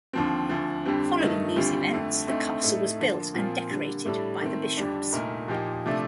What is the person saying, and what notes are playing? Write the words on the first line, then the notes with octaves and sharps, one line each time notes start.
Following these events, the castle was built and decorated by the bishops.
D#2 D3 F3 C4
D2 D3 F3
F2 D3 G3 C4
G2 D#3 A3 D#4
D2 D3 G3 C4 F4
F2 D3 A3
D2 D3 A3 C4 D#4
A2 A3 D#4 A4
D3 F3 A#3
A#2 F3 C4 F4
D3 G3 A#3
A2 G3 D4 A4
D#3 A3 C4
F2 D3 G3 D4
C2 A#2 A3 D#4 A#4
A#2 F3 A#3 D#4 G4
C3 F3 A3 D4